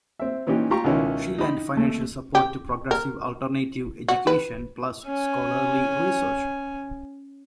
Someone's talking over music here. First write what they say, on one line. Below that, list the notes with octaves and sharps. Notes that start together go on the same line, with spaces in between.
She lent financial support to progressive alternative education plus scholarly research.
C4 E5
A#2 E3 C#4 D#4 G4
F4 G4 A#5 C#6
C#2 B2 D#3 C#4 E4
D#4 G4 B5
D#2 A3
G4
A#4
F#4
B4
C#4 G#5